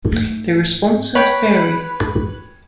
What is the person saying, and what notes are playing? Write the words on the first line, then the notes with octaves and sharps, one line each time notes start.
Their responses vary.
G#2 A3
B4 C#5 G5